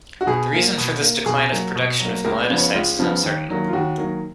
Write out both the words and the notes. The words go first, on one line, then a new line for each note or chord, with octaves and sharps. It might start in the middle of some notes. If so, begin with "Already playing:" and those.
The reason for this decline of production of melanocytes is uncertain.
F#4
B2 G#4
A#3
B2
A#3
B2 G#4
F#3 A#3
B2
F#3
A#3
C#2 A#4
B4
C#3 F3 B3
C#5
C#2 F4
C#3 F3 B3
D#2
D#3 F#3 A#3
F4
D#2 F#4
D#3 F#3 A#3